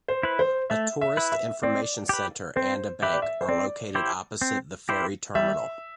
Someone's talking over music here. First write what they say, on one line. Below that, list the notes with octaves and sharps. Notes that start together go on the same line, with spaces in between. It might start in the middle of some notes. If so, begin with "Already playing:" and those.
A tourist information centre and a bank are located opposite the ferry terminal.
C5
E4 B4
C5
A3 E5
E5
E4 B4
E5
C4 D5
G4 B4
C4 C5
G4 B4 E5
D5
E5
C5
C4 D5
E4 G4 C5
C4
E4 G4 C5
G3 E5